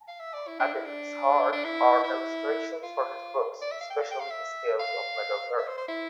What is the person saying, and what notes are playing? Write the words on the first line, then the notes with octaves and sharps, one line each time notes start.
At its heart are illustrations for his books, especially his tales of Middle-earth.
F5
E5
D5
E4
D4
E4
D4
D4
E4
E4
F4
D5
E5
F5
G5
F5
G5
F5
E5
F5
E5
C5
C5
E4